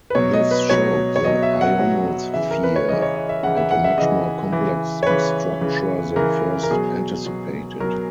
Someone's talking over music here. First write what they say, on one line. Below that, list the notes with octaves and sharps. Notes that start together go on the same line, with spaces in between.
This showed the ionosphere had a much more complex structure than first anticipated.
B4
B2 F#3 C#5
D#5
B4
B2 F#3 C#5
C#5
B2 F#3 D#5
E5
F#5
B2 F#3
C#3 E3 E5
A#4
B4
C#5
C#3 E3 D#5
C#5
D#5
E5
C#3 E3 F#5
E5
F#5
E5
C#3 E3 D#5
C#3 E3
C#5
C#3 E3 B4
C#3 E3
C#3 E3 A#4
A#4
B2 F#3 G#4
B2 F#3
B2 F#3 A#4